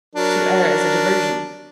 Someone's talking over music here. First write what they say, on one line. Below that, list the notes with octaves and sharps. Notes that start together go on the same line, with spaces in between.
To err is a diversion.
F#3 D4 A#4